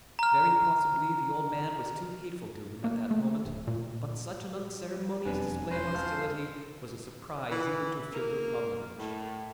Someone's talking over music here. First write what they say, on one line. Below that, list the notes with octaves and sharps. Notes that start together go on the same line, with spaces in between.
Very possibly the old man was too hateful to him at that moment; but such an unceremonious display of hostility was a surprise even to Fyodor Pavlovitch.
A#5 F6
A#3
A3
D1
A#2
E1 F2 B3 C4 D4 B4 G#5
C#4 B4 C5
G#1 C#2 F5 A5 F6
E3
A#3
A2